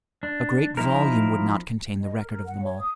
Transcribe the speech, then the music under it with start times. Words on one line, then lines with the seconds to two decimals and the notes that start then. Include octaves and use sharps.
A great volume would not contain the record of them all.
0.23 D4
0.77 F3 D#4 E4 A#4
2.00 D#5
2.13 A#4
2.28 A#4
2.45 F#5
2.61 C#5
2.79 D#6